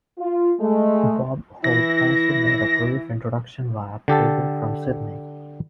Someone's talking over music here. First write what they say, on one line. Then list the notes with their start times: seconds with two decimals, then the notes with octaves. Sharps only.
Bob Hope also made a brief introduction via cable from Sydney.
0.19 F4
0.60 G#3 A3
1.64 E3 E4 A#6
4.08 D3 G4 A4 A5